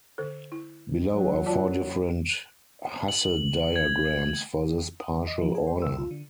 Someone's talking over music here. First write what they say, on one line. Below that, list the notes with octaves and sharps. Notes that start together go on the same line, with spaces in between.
Below are four different Hasse diagrams for this partial order.
D3 A4
E4
F#3
F4 D5 A5
F#7
G#6
D#6
D2
D#5
F3
G#4
C5
E6
F4
D3